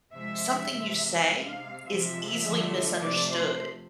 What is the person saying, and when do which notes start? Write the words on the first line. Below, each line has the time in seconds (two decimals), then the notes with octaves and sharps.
something you say is easily misunderstood,
0.12 C3 F3 G#3 E5
0.70 C3 E3 G#3
1.28 C3 G#3 F5
1.86 C3 F3 G#3 E5
2.44 D3 F3 A3
3.02 C3 F3 A3 D5
3.31 C5